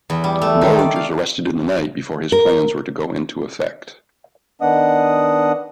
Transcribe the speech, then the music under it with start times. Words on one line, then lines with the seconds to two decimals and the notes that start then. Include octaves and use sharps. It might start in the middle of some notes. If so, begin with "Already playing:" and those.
Noge is arrested the night before his plans were to go into effect.
0.10 E2
0.24 G3
0.42 A3
0.61 D#3
0.79 D5
0.96 F5
2.32 A#4
4.62 D#3 B3 D4 D#5 F#5 D#6